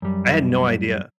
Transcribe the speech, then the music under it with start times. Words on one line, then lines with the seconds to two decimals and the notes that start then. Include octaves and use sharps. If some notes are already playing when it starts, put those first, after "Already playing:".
I had no idea.
0.02 F#2 G3